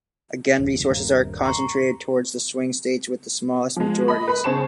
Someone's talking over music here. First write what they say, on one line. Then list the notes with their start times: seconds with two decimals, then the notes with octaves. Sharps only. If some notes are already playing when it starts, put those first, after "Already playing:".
Again, resources are concentrated towards the swing states with the smallest majorities.
0.59 D#1
0.72 F#1 E2
0.89 D#1 G2 A#3
1.43 A#5 C6 C#6
3.76 F3 G#3
4.08 D#5 B5
4.28 B4 B5
4.44 C#3 G#4 C5 A5 C#6 E7